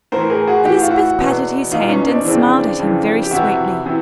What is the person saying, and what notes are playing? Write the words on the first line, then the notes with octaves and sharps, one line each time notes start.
Elizabeth patted his hand and smiled at him very sweetly.
A2 E3 A#4 C5
G#4 A#4
F#4 G#4
A2 E3 G4
F#4
F4
E4 F#4
E2 B2
E2 B2 D#4 F4
C#4 D#4
C4 D4
F2 C#3 E3 C4 D4
F2 C#3 E3
G4
F2 C3 E3 E4 F#4
C3 E3